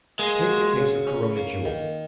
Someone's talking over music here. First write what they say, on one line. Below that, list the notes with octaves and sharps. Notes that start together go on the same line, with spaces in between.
Take the case of Corona Jewel.
G#3 A#3
F#4
C#3
C#4
A#3
D#3